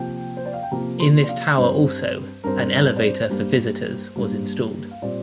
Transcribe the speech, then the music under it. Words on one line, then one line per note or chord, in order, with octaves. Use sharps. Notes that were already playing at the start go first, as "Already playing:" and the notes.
In this tower also an elevator for visitors was installed.
Already playing: C3 F3 A#3 G5
C5
D5
F5
G5
C3 F3 A#3 A#5
C6
D5
F5
G2 G3 C4 C5
G2 G3 C4 A#4
C5
D5
C5
G2 G3 A#3
G2 G3 A#3
F5
A#2 G3 C4 D5